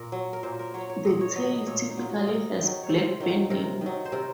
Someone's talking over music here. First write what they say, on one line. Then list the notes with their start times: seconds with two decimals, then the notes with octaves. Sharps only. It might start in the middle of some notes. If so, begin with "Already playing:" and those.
The tail typically has black banding.
Already playing: A#2 A#4
0.12 F#3
0.33 A#4
0.43 A#2 C5
0.59 A#4
0.74 F#3 C#5
0.90 C#5
1.05 A#2 D#5
1.21 C#5
1.36 F#3 D#5
1.51 D#5
1.66 A#2 C#5
1.90 D#4
1.97 F#3 F4
2.09 F#4
2.19 G#4
2.28 C3 A#4
2.59 D#3 F#3
2.83 C#5
2.89 C3 C5
3.20 D#3 F#3
3.50 C3 A#4
3.81 D#3 F#3
4.05 C5
4.12 C3 A#4